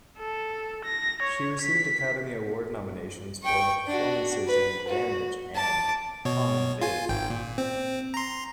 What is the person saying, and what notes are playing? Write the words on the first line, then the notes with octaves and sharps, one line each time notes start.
She received Academy Award nominations for her performances in "Damage" and "Tom and Viv".
A4
A#6
C#5
B6
G5 C#6
D4 F#4
B4
F#4
A5 D6
B2 C#5
F4 G#5
G#1 G5
A#2
C4
A#5 C6